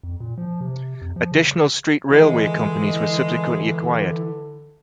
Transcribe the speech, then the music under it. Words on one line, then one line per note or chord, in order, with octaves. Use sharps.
Additional street railway companies were subsequently acquired.
F2
A#2
F3
C3
F2
F3
C#3
D3 E3 G#3